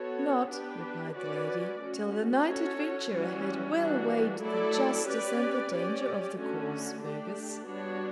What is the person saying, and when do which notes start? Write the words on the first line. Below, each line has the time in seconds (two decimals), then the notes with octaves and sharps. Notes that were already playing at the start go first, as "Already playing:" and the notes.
'Not,' replied the lady, 'till the knight adventurer had well weighed the justice and the danger of the cause, Fergus.
Already playing: B3 F#4 A4 C#5
0.49 B3 D4 G4 B4
1.14 C#4 F#4 B4 D5
1.80 A3 C#4 F#4
2.45 C#4 F#4 A4 C#5
3.10 E3 G3 C#4 F#4
3.75 E3 G3 D4 F#4
4.41 F#3 A3 E4 A4 D5
5.06 C#4 G4 B4 D5
5.71 C#4 G4 D5
6.36 D3 A3 C#4 F#4
7.01 A3 D4 G4
7.67 G3 B3 D4 F#4 C#5